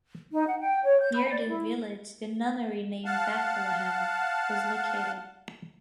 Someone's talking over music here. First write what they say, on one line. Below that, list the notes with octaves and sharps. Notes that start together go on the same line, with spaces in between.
Near the village the nunnery named Bethlehem was located.
D#4
F#5
G5
C#5
G6
B5
D5
E4
F5 F#5 A5